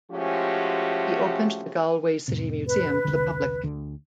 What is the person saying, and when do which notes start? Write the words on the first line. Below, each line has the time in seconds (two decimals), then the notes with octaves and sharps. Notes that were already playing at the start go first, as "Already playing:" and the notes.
He opened the Galway City Museum to the public.
0.12 F3 G#3 A3 C#4 F#4 G4
2.28 F2 A2 C3
2.66 B4
3.05 E1 C2 D3
3.63 D2 D3